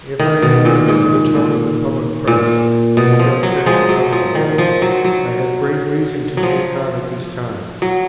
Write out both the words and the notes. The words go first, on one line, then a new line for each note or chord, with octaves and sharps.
If I may judge from the tone of the public press, which represents the public voice, I have great reason to take heart at this time.
D#3
B2
A#2
G#2
A#2
A#2
B2
F3
F#3
F3 G#3
F#3
F3
D#3
F3
F#3
F#3
F#3
F3
F#3